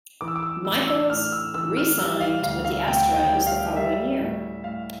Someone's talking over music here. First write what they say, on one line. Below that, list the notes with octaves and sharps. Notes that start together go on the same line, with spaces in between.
Michaels re-signed with the Astros the following year.
E3 D6
E6
D6
E6
A2 E6
E6
A2 F6
E6
E3 E6
F6
G3 E6
F5
D2 F5
F5
D2 G5
G5
G3
F5
G3 E5
A2
A2 F5